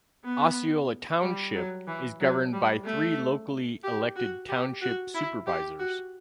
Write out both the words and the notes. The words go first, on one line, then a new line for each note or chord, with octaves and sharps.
Osceola Township is governed by three locally elected Township Supervisors.
B3
G3
F#3
E3
F#3
G3
A3
G4
F#4
G4
F#4
E4
G4
F#4